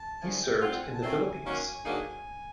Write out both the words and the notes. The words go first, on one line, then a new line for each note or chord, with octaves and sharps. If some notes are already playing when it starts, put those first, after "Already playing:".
He served in the Philippines.
Already playing: A5
F#2 D3 F3 A3 G#5
G5
G3 C4 F4 F#5
F#5
G#5
A5
F#3 A3 C4 G#5
D#3 F#3 A#3 C#4
D3 F#3 A#3 D#4 G#4